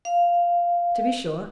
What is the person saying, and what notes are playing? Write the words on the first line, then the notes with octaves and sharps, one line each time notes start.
'To be sure.
F5